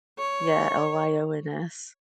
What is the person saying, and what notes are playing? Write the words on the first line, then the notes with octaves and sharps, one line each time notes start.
yeah, L-Y-O-N-S.
C#5